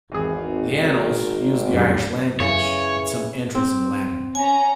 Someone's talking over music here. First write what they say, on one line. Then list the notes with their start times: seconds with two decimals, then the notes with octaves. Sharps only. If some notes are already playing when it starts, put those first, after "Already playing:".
The Annals used the Irish language, with some entries in Latin.
0.12 G#1 E2 G#4
0.84 A#4
1.73 F#2 C#3 G3 D4
2.40 F#2 C#3 E3 C#4 C#5
3.55 C4
4.35 C#4 G#5 A#5